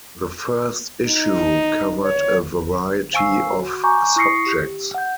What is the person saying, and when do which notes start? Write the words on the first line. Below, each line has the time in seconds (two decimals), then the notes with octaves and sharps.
The first issue covered a variety of subjects.
1.06 D#4
2.03 C#5
3.13 C5 F5 G#5 C#6 E6 C7
3.53 F#4
3.84 G#5 A#5 C#6 D6 G6
4.16 E4 C#6 D#6 A#6 C7 C#7
4.46 G4
4.94 F#5 G6